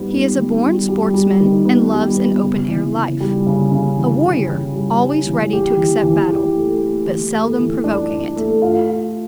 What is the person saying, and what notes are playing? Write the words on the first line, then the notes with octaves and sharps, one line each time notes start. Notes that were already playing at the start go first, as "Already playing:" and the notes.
He is a born sportsman and loves an open-air life--a warrior, always ready to accept battle, but seldom provoking it.
Already playing: G#2 G3 B3
B3
D#3
G3
G3
G3
D#3
B3
G3
B3
C#3
E3
C#3
G3
C#3
C#3
E3
C#3
E3
G3
G3
E3
G4
E3
E3
G4
A3
A3
E3
A3
E3
D4
D4
A3
F4
F4